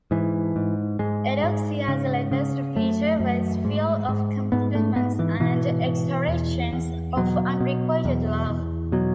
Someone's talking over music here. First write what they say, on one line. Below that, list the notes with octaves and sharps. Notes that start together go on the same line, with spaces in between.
Eudoxia's letters to Peter were full of complaints and exhortations of unrequited love.
G#2 E3
G#2
G#2 G#3
G#2
C#3
C#3
F#2 A3
F#2
G#2
G#2
G#2 B3
A3
G#2 B3
E3
B2 E3
B2
E2
E2
B2 F#3
B2
E2
E2
B2 F#3